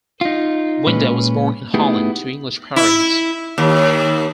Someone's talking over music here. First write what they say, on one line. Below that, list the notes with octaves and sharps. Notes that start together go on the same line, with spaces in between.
Winde was born in Holland to English parents.
D#4 F4
A#2 G#3 C#4 B4
A3 B3 D#4 E4 G4 G#4
E4
D#2